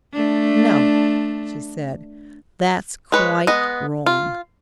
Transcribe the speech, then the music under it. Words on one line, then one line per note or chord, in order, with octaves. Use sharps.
"No," she said, "that's quite wrong."
A3 D4
G#3 B4 C#5
G#3 B3 D#5
F4